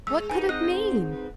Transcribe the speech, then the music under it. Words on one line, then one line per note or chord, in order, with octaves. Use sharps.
What could it mean?
G#3 E6
G#2 D#4 B4 G#5
C4 D#5 F#6
C5
B4